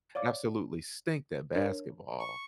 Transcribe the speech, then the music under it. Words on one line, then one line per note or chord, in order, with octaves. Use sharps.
absolutely stink at basketball.
C#5 D5 F5 D6
D4 A#4 C5 C#5
C#6